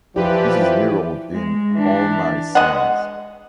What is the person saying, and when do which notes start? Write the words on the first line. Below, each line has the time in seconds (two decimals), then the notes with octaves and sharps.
This is mirrored in "All My Sons".
0.16 E3 F3 E4 G4 B4 D5
1.34 G#3
1.73 E3 D4
2.55 G#3 D#5 F#5